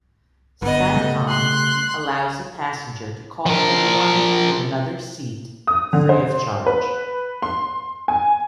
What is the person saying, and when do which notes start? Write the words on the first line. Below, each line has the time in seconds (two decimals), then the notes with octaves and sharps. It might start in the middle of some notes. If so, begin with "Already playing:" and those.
Satcom allows a passenger to call anyone in another seat free of charge.
0.62 G1 G2 B3 D#5
0.94 C#3 G3 A3
1.28 C6 F#6
3.46 F3 A#4
5.67 D#6
5.93 D3
6.09 C5
6.66 B4
7.42 C6
8.08 G#5